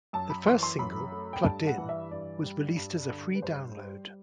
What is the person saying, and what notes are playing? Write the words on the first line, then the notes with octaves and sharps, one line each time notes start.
The first single, "Plugged In", was released as a free download.
F#2 A5
B5
E3 C6
C6
F#2 B5
A3
G5
G2 A5
F#5
E3
E5
G2 D5
G3
G2
D3
B4
G2 C5
G3